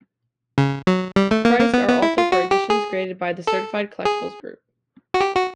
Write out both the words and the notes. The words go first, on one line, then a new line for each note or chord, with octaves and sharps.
Priced are also for editions graded by the Certified Collectibles Group.
C#3
F#3
G3
A3
A#3
A#3
B3
B3
E4
F4
F#4
G4
G#4
A4
G#4
F#4
G4
F#4